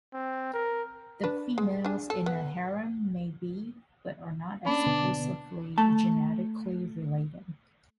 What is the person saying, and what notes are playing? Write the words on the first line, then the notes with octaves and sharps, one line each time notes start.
The females in a harem may be, but are not exclusively, genetically related.
C4
A#4
D4 B4
G#3
D4 G#4
A4
B3
A#3 C#4 D4 B5
B2 D3 B3
A3 A5